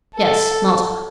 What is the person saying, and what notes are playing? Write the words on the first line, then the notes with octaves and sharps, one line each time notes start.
"Yes; Malta."
A4